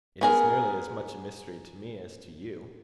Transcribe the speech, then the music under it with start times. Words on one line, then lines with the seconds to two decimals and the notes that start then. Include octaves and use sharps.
"It is nearly as much a mystery to me as to you."
0.21 B3 G#4 A#4